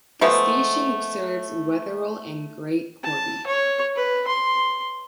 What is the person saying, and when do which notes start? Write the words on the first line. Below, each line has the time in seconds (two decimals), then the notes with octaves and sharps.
The station serves Wetheral and Great Corby.
0.21 F3 G#3 A3 B3
3.04 A5
3.46 C#5
3.96 B4
4.27 C6